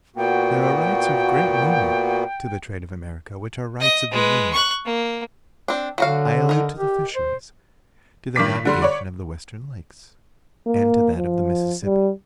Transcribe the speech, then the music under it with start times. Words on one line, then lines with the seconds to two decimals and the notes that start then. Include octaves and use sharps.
There are rights of great moment to the trade of America which are rights of the Union--I allude to the fisheries, to the navigation of the Western lakes, and to that of the Mississippi.
0.16 A#2 A#3 B3 F#4 G5
3.80 D#5
4.12 G#3 B4
4.53 C#6 F#6
4.85 A#3
5.68 C4 D4
5.98 D3 F#3 F#4 F5
6.49 D#4 A#4
6.78 G4
7.16 C5
8.36 G2 D#3 D6 B6
8.65 D3 G3 C6
8.82 C#5 D5
10.66 A#3
11.17 F3
11.85 G3